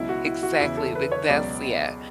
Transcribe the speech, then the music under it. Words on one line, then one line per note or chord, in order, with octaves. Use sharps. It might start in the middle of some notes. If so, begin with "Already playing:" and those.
Exactly, big that's yeah.
Already playing: C#2 B2 F#3 E4
F#4
E4
F#4
E2 C#3 E3 E4
A4
B4
C#5
C#2 B2 F#3 D5